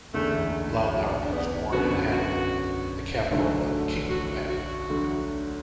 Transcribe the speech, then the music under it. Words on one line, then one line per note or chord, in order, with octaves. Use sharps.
Launhardt was born in Hanover, the capital of the Kingdom of Hanover.
F#1 E2 D3 A3
F#3
D4
B3
F#2 D3 B3 F#4
F#4
D2 D3 F#3 A3
F#4
F#4
D2 D3 F#3